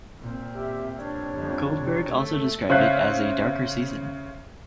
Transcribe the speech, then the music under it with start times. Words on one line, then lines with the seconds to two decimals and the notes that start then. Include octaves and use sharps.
Goldberg also described it as "a darker season".
0.19 A#2 C4
0.55 G4 E5
0.99 G3 D4 C#5
1.33 G1 F2
1.76 C3
2.10 A3
2.69 C#3 C5 E5 F5 F#6